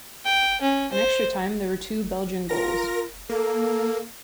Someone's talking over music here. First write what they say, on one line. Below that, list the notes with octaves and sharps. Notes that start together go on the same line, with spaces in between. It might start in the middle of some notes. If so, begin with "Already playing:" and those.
In extra time, there were two Belgian goals.
G5
C#4
C5
F4 A#4 A#6
A#3 A4